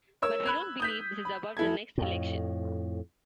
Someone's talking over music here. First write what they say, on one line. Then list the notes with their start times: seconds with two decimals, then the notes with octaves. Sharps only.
But we don't believe this is about the next election.
0.22 A#4 C#5 E6
0.46 B5 F#6 G#6
0.80 D#6 G6 B6
1.25 B5
1.57 F1 E4 A4 G#6
1.98 F2 A2